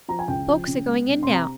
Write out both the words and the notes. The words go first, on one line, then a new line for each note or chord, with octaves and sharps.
Folks are going in now.
F3 A#5
G#5
C#2 G5
F3
C#3
G#3
C3
C3 C6
A#5